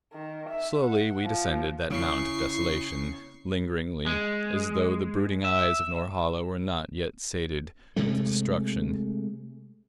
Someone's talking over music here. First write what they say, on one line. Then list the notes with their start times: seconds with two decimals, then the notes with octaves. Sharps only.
Slowly we descended that mount of desolation; lingeringly, as though the brooding eyes of Norhala were not yet sated with destruction.
0.13 D#3
0.49 E5
0.83 F#5
1.25 F3
1.90 C#3 E4 C#6 C7
4.06 G#3
5.44 E5
7.96 C3 G#3 A3